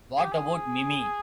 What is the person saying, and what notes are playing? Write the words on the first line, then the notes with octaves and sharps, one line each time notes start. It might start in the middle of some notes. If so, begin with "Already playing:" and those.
What About Mimi?
G#4
G4
G#4